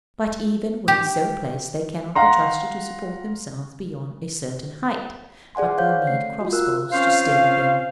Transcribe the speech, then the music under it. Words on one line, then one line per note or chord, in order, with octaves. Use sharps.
But even when so placed, they cannot be trusted to support themselves beyond a certain height, but will need cross bars to steady them.
G4
F5 F#5 A#5 C6
G#4 D5 F#5 G#5 C6
C5 C#5 F5 G6
A3 C7
F4 F#4
F4 A#4 E6 F#6
C4 C#4 F4 C5 F5